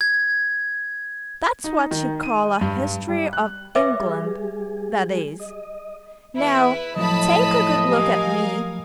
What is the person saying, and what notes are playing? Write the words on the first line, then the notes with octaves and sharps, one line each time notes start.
'That's what you call a History of England, that is. Now, take a good look at me!
G#6
D#4
D#3
D#7
G2
G3
F#6
B4 C#5 E5 D6
G3 G#4
D#5
E2 E4 B4
A2 F3 F#3 A3 D#5 A5 B5
G4 A#4 F5 G#5